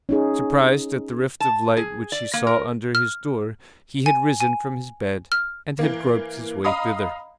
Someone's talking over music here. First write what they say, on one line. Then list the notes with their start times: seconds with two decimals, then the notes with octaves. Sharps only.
Surprised at the rift of light which he saw under his door, he had risen from his bed, and had groped his way thither.
0.09 C#4 D#4 G#4
1.40 A5
1.77 G#4
2.12 D5
2.34 A#3
2.47 A#4
2.95 F6
4.06 G#5
4.40 G#5
5.32 F6
5.79 E3 A#3
6.64 D#5 F5 A#5 B5 D#6